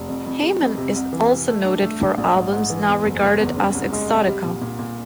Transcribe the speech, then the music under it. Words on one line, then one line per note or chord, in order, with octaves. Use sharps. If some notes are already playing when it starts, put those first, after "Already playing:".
Hayman is also noted for albums now regarded as Exotica.
Already playing: F1
F2
F2
G3
F2
C3
C2
E3
C3
A3
D4
A3
D4
A#1
G#2
G#2
E3
E2
F#1
F#1
E2
C#4
C2
G#3
C2
G3
A#2
A#2
A#2